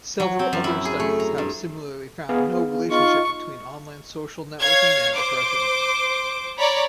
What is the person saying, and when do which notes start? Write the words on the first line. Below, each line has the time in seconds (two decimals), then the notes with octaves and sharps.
Several other studies have similarly found no relationship between online social networking and depression.
0.20 F#3
0.39 C4
0.53 F#2
0.64 E4
0.85 G#4
1.00 A3
1.20 A#5
1.38 G2
2.29 B3 G#4 F5
2.91 D#4 F4 C#6
4.62 C#5 F5 G#6
5.16 C5 D6
6.58 C#5 D5 A#5 B5